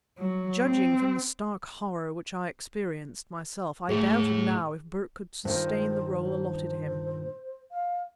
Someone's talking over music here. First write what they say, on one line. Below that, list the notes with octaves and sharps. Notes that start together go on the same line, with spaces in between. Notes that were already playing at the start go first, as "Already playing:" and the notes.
Judging from the stark horror which I experienced, myself, I doubted, now, if Burke could sustain the role allotted him.
F#3
C4
A2 E4 G#4
G2 A#2 D#3 C5
C5
F5